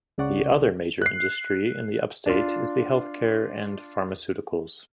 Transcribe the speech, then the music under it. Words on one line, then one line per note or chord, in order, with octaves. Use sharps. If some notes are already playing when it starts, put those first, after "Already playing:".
The other major industry in the Upstate is the healthcare and pharmaceuticals.
C#2 C#3 D5 F#5 C#6
F#6 C7
D4 F4